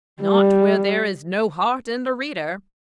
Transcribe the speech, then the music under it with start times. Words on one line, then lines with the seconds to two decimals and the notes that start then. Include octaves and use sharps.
"Not where there is no heart in the reader."
0.22 G3